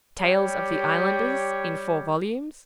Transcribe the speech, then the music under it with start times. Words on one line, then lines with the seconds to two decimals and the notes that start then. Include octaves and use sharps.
Tales of the Islanders, in four volumes.
0.19 G3 G4 C#5